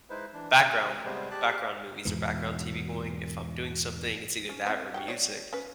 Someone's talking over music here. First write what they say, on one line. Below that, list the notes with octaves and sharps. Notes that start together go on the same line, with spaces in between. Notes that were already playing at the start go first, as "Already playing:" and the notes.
background background movies, or background TV going, if I'm doing something, it's either that or music.
G#3 D#4 E4 B4 C5
E3 D4
C3
C3 G3 G#3 B3 G#4 C5
G4 G#4 D5 A5 D6 F#6
E2 G#2 B2 E3
C#4
C4 E4 E5
F#4 G4 G5
C#5 D5
C#4 B4